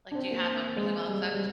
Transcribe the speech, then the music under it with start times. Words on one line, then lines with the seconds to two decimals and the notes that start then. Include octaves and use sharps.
Like, do you have them really well cooked?
0.11 D4
0.15 C4
0.31 A#3
0.76 G#3
1.08 G3
1.33 G3